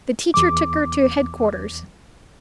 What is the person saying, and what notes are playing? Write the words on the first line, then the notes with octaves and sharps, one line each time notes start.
The teacher took her to headquarters.
E2 D6